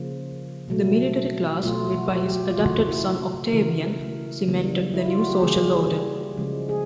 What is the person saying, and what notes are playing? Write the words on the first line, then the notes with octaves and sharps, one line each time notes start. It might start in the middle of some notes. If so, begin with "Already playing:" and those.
The military class, led by his adopted son Octavian, cemented the new social order.
Already playing: C#3 F3 A#3
B2 F#3 A3
B2 F#3 A3 F4
F#4
G4
F4
C#3 E3 A3 F#4
E4
C#3 E3 A3 A#4
C#3 E3 G3 A#3
E4
F4
F#4
G4
C#3 E3 G3 A#3 G#4
G#4
C#3 F3 G#3
G#4